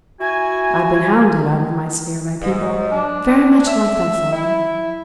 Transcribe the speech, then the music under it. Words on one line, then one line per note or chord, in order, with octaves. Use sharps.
I've been hounded out of my sphere by people very much like that fellow.
E4 F#4 G#5
G#2
D4
E5
E4